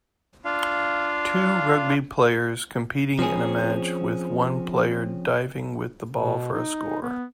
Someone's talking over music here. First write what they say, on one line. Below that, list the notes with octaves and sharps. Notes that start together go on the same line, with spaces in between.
Two rugby players competing in a match with one player diving with the ball for a score.
D4 F4 F5
F3 C4 C#4 G#4
B2
D#4
B3